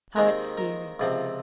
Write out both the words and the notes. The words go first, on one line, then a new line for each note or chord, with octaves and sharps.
Hart's Theory.
D#2 D#3 G#3 C4 A#4
A#4
C#2 C3 F3 C4